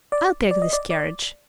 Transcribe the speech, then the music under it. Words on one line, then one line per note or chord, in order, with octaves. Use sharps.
I'll take this carriage.
D5
D5
D#5
D5
D5